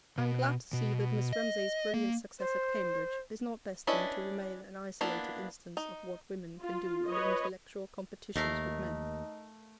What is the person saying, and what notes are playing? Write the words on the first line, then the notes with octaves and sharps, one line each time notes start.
I am glad to see that Miss Ramsay's brilliant success at Cambridge is not destined to remain an isolated instance of what women can do in intellectual competitions with men.
B2
B2
D#5
A#3
C5
C#4 D4 E4 B4 D#5
A#3 B3 D4 E4
D#4
F4
B4 C#5 D#5
D#2 A3 D#4 A#4 F5